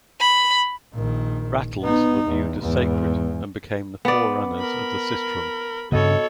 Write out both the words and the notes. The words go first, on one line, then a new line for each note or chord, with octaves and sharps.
Rattles were viewed as sacred and became the forerunners of the sistrum.
B5
A#1 D#3
B3 D#4
E2
E2 G#2
B3 D5
A#4 B5
G2 C#3 B3 F#4 A4 C#5 D#5